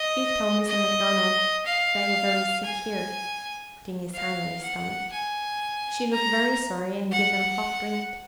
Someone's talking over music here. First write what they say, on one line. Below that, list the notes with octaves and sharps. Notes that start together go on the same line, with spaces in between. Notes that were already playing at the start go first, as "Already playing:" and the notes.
Chief tell Missa McDonald they very sick here,"--putting his hand on his stomach--"She look very sorry and give them hot drink.
Already playing: D#5
D#5
F5
G#5
F5
F#5
G#5
A#5
F#5